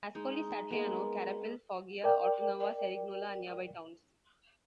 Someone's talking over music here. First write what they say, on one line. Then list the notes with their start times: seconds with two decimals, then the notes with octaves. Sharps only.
Ascoli Satriano, Carapelle, Foggia, Orta Nova, Cerignola are nearby towns.
0.15 G#3 D#4
0.71 G#3 A#3 B3
2.03 A#4 D5 G5